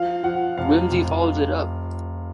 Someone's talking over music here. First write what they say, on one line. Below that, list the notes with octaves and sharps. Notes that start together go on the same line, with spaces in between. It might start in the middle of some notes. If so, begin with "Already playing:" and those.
Wimsey follows it up.
Already playing: F3 F5
F3 F#5
F1 F5
F1